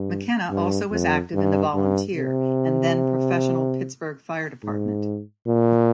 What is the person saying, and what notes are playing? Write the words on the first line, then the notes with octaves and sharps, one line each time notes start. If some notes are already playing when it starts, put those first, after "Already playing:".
McKenna also was active in the volunteer and then professional Pittsburgh fire department.
Already playing: G2
G2
F2
G2
G2
C3
G#2
A#2